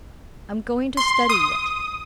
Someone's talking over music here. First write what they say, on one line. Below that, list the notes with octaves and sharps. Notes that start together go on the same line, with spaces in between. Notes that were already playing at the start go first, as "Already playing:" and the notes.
I'm going to study it.
C6
D#6